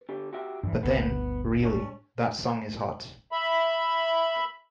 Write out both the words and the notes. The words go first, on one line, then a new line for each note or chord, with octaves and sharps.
But then, really, that song is hot.
D3 G4
F#4 G4 E5
D2 G2 E3
G1 D2 B3
D4 C#5
E5 B5